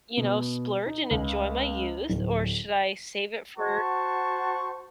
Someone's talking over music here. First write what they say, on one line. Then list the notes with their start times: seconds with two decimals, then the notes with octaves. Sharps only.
you know, splurge and enjoy my youth, or should I save it for
0.17 B2
0.86 D#4
1.10 C#2
2.10 D1
3.57 F#4 C5 F#5 A5 C#6